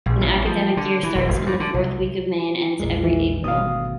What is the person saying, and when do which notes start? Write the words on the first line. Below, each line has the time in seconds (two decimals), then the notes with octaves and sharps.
An academic year starts in the fourth week of May and ends every April.
0.06 A#1
0.21 A1
0.46 F3
0.77 D3
1.03 E3
1.15 E1
1.28 E1
1.46 G2
1.60 D3
1.74 C2
2.80 A#1 E2 G#3
3.04 E3
3.44 G#1 D2 B2 F5 D#6